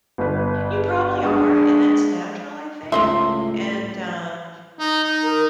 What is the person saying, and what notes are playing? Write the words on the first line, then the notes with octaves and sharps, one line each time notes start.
You probably are and that's natural I think and um,
G1 B4
G#3 D4 F#5 C#6 D#6
C#2 A2 F4 D#5 E5 C6
D#4
D#4
A#4